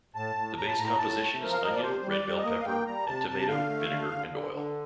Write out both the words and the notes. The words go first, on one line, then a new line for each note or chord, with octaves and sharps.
The base composition is onion, red bell pepper and tomato, vinegar and oil.
A2 A5
A2
A2 A#5
A5
A2 A#5
A2 A5
A3
F3 A#4
F5
F3 D#5
D5
C3 C5
G3
D5
G3
D#5
A#3
F5
A#3 G5
G3 A#5
C3 A5
C3 A5
D3 F5
A3
D3
D3
D3
D3